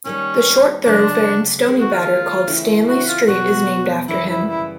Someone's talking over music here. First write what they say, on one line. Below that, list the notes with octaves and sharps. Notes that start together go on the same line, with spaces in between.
The short thoroughfare in Stoneybatter called Stanley Street is named after him.
D#2 D#3 G3 C#4
D2 C#3 F#3 D4
D#2 D#3 G#3 C4
F#4
F4
C#3 E3 A3 C4 E4
F#4
F4
E2 B2 F#3 B3 F#4
F#2 C#3 E3 G3 B3 E4
E4
E4